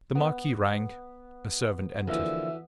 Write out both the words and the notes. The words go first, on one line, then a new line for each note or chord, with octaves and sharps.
The marquis rang, a servant entered.
B3
D2 D3 E3 F3 A#3 E5